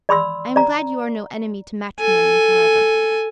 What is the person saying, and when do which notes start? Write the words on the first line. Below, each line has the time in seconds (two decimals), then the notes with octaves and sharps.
I am glad you are no enemy to matrimony, however.
0.09 D5 B5 C6 E6
0.56 D5 A#5
2.00 A4 G#5